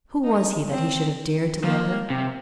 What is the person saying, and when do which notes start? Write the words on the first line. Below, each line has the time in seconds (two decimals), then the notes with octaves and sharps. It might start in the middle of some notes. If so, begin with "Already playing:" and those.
Who was he that he should have dared to love her?
0.24 D#4
0.71 C4
1.64 F3 A#3
2.10 C3